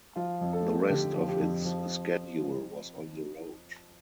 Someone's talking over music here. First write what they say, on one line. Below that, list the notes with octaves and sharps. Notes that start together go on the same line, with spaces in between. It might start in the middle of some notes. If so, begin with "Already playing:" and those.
The rest of its schedule was on the road.
F3 F4
F2
A4
A3
D3 G4
F3
G4
F2
F3